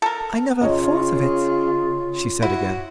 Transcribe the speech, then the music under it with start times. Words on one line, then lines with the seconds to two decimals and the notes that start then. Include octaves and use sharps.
"I never thought of it," she said again.
0.02 A4 A#4
0.61 C#3 F4 C#5 D#5
2.42 E4 F#4